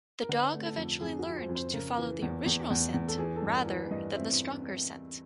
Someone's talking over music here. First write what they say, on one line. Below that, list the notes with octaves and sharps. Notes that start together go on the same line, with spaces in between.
The dog eventually learned to follow the original scent rather than the stronger scent.
A#4
D3 B4
A3
A4
F2
F2 G#4
F#4
F3
C5
F2
C5
C#3 A#4
E3
E2
E2
E2
E2
A4
E3 G#4
A4
G2
A#4
E3
B4
G2 D#5
C4 E5